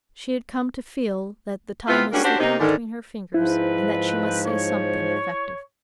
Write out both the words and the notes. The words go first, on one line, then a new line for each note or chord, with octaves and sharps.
She had come to feel that the time was slipping between her fingers and that she must say something effective.
C3 B3 E4 F4
G3 G#3 A#3 C#4 D4 F#4
C#4 D4 F#4 G4 C5
C3 A#3 D#4
G#2 D3 D#3
G#2 F3 C4 E4 B4
C#5